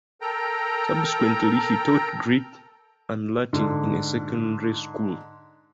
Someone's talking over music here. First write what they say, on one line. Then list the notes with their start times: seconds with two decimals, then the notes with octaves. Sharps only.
Subsequently he taught Greek and Latin in a secondary school.
0.21 A4 A#4 G5 A#5
3.53 G#2 D3